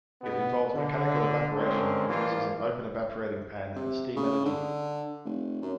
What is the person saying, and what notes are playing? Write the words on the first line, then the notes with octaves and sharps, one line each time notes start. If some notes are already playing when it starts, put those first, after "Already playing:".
It involves mechanical evaporation and uses an open evaporating pan and steam energy.
B2 B3
D3
D3 G#3 A#3 C4 C#4
E3 F3 G3 A#3 F4
C3
C#3
D3
F1
F#2